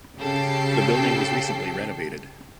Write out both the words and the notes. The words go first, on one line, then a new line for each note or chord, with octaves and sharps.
The building was recently renovated.
C#3 G4 A4 G5 C7